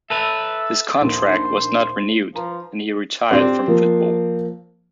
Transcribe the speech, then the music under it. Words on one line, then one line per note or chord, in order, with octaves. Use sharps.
His contract was not renewed and he retired from football.
A4 B4 E5
A#1 D#2 D#3 C5
F3 B4 A#5
C4 D4 G4 C5
F3 A#3